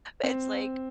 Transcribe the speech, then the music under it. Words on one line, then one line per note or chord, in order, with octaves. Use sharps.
it's like
C4